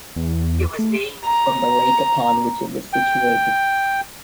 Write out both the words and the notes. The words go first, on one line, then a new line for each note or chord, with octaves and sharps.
It was named from the lake upon which it was situated.
E2
A3
A#5
G5